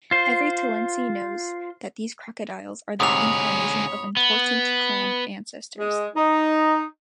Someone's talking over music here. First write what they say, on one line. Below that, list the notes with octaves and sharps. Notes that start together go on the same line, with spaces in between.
Every Tallensi knows that these crocodiles are the incarnation of important clan ancestors.
F4 C5
D2 G#2 C3 G#4 C#5 B5 D#6 F7
B3
G#3
D#4